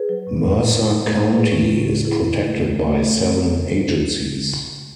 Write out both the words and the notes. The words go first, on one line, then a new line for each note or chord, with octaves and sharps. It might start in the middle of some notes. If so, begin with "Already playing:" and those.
Mercer County is protected by seven agencies.
Already playing: G#4 B4
F#3
A2
A2
A2
A2
B3
B3
A2 G#4 B4
A2
E4
E3
A2
C#3 E4 G#4
C#3
A3
C#3
A3
A3
E3
C#3